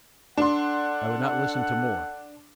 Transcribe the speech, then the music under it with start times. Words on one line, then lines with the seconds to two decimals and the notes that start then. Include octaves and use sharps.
I would not listen to more.
0.38 D4 A4 F#5 C6